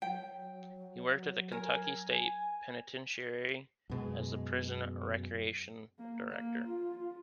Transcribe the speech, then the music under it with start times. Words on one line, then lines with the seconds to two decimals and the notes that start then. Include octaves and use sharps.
He worked at the Kentucky State Penitentiary as the prison recreation director.
0.02 F#3 G5
1.52 A#4 G#5
3.90 F#2 B2 G#3
5.99 A#3
6.30 A#3
6.67 F4